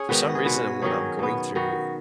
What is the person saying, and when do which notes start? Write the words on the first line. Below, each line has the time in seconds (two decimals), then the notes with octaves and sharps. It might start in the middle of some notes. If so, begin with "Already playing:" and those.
for some reason, when I'm going through
Already playing: C#4 G#4 C#5
0.09 G#2 D#3 B3 F#4 B4
0.35 G#4
0.45 B2 G#3 C#4 F#4 B4
0.82 D#3 F#3 C#4 G#4 C#5
1.19 B2 B3
1.55 D#3 B3 F#4